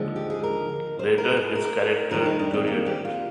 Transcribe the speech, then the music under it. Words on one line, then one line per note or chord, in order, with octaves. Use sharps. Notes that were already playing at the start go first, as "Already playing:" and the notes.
Later his character deteriorated.
Already playing: D#2 D3 F3 G#3
G4
G#4
A#4
C5
A#4
G#4
A#4
F2 D#3 G3 A#4
D#4
D4
C4
A#3
G4
F4